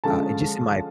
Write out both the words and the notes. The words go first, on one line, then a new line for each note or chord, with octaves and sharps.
uh, just in my opinion,
D3 F3 G#3 C#4 A5